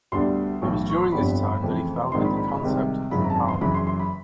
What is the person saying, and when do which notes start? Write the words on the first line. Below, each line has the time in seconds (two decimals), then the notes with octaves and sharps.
It was during this time that he founded the concept of Drupal.
0.12 D2 D3 G3 B3 C6
0.62 B1 A2 E3 C#6
0.90 C#6
1.01 C6
1.12 G1 F2 D3 G3 B3 B5
1.62 F2 C#3 E3 A3
2.12 A#1 G#2 D#3 G#3 C4 C6
2.24 B5
2.36 B5
2.49 B5
2.61 C2 C3 D#3 G#3
3.11 G#1 F#2 C#3 F#3 B5
3.24 A#5
3.30 A5
3.36 G#5
3.48 C6
3.61 F#1 F#2 C#3 E3 B5
3.74 C6
3.87 C6
3.99 B5